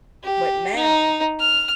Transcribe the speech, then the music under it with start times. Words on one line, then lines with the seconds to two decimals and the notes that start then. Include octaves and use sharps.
But now,
0.24 G4
0.76 D#4
1.40 F6